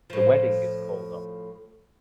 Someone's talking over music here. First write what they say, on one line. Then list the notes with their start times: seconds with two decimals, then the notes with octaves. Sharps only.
The wedding is called off.
0.10 A2 F3